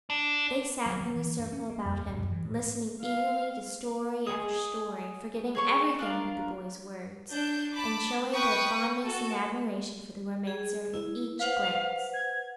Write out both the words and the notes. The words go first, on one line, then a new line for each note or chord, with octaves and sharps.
They sat in a circle about him, listening eagerly to story after story, forgetting everything but the boy's words, and showing their fondness and admiration for the romancer in each glance.
D4
F#3
F3
E3
G2
C#4
A#3
F2
D#1
F#2
E3
A2
F5
G#4 D#5 D#6
G#4 C#5 C#6
D4 F4 A#4
D4 G6
A5 B5 D6
B4 G5 C#6 D#6
F#4 A4
G#4
E4
B4 C5 F5 F#5
G#6